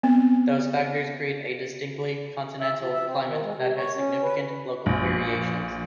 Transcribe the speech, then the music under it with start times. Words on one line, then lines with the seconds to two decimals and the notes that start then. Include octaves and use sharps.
Those factors create a distinctly continental climate that has significant local variations.
0.03 B3 C4
2.60 E5
2.78 F3
2.93 E5
3.06 C4
3.25 D#3
3.41 G#3
3.55 C3
3.76 C#5
3.95 C#4
4.22 B4
4.86 A#1